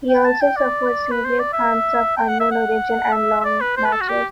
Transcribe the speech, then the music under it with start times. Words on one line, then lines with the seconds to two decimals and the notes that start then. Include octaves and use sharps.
He also suffered severe cramps of unknown origin in long matches.
0.09 G5
0.25 A5
0.41 G5
0.57 D5
1.11 B4
1.25 C5
1.39 D5
1.53 E5
2.17 G5
2.28 F#5
2.40 E5
2.51 F#5
3.13 E5
3.41 E5
3.44 D5
3.61 B4
3.77 C5
3.85 B4
3.93 A4
4.00 F#4
4.09 G4